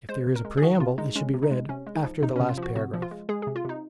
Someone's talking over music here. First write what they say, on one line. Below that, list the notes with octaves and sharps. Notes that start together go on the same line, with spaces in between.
If there is a preamble it should be read after the last paragraph.
G#3 C5
C3
A#4
G#3
G#4
D#3 F#4
C3 F4
G#3 D#4
G#3 C#4
C3
D#4
G#3
C3 C#4
G#3
D#4
F3
C3 D#4
C#4
C3
F4
F3
F#4
C3 F#4
F3
F4
G#3
G#3 G#4
G#4
C3
F4
C3 D#4